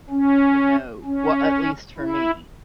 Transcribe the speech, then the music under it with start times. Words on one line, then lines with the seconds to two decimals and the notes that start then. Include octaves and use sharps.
to know well, at least for me.
0.10 C#4
1.04 C#4
1.98 E4